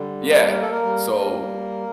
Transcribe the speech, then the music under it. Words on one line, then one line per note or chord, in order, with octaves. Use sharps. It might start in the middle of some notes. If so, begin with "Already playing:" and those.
Yeah. So,
Already playing: D3 G3
A#3
A#3 A#4
A4
A#3 A#4
G3
G3